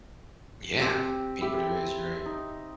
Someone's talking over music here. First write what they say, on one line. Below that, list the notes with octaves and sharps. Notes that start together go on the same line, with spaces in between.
Yeah, peanut butter is, right.
C4 G4
E4 G4
D#4